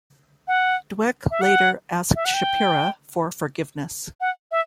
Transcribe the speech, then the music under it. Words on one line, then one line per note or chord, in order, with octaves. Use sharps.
Dwek later asked Shapira for forgiveness.
F#5
E5
F#5
E5
F#5
G5
F#5
E5